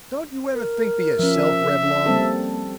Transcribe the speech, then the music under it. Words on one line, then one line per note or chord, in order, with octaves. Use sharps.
Don't you ever think for yourself, Reblong?
A#4
F3 C#4 E5
G3 A#3 C4 A4